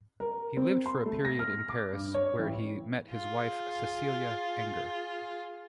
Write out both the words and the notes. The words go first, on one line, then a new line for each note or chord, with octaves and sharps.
He lived for a period in Paris, where he met his wife, Cecilia Enger.
A#4
C4
C6
A3
A#6
F6
D6
G2
C#5
A1
F4 G#4